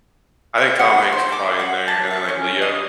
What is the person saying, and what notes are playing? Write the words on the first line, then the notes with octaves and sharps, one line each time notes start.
I think Tom Hanks is probably in there and then like Leo.
E5
F#5
C5
D6
F#5
A5
E5
C#4
D#5